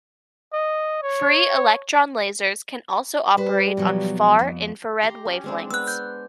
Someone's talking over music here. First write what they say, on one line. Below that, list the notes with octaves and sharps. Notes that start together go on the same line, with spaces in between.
Free electron lasers can also operate on far infrared wavelengths.
D#5
C#5
G3 B4 C5
B2 F3 F#3
F2
G4 A#5 C6
C#4
G#3 C4 D4
B3 E6 F#6
G6